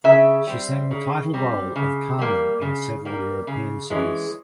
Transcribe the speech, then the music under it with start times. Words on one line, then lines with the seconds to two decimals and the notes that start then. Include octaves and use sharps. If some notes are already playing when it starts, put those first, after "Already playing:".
She sang the title role of "Carmen" in several European cities.
0.04 C#3 E5
0.47 G3 C4
0.91 C#3
1.34 G3 C4
1.76 C#3
2.19 G3 A#3
2.62 C#3
3.05 G3 A#3
3.47 C#3
3.90 E3 G#3 C#4